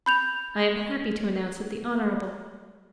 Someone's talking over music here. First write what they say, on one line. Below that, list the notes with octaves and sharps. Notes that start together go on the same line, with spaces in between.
I am happy to announce that the Hon.
B5 G6 F7